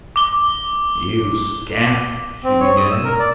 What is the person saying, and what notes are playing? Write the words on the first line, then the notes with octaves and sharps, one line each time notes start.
"You scamp--!" she began.
D6 G7
C4
C#5
D#6
E6
A#4
D5